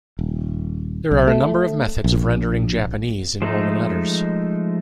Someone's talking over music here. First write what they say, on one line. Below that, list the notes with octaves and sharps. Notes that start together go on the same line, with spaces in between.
There are a number of methods of rendering Japanese in Roman letters.
D#1
B1
A3
A#1
F3 G#3 A3 D#4